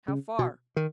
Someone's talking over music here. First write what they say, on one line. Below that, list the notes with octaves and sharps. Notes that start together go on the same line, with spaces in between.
"How far?"
C#3
B2
D#3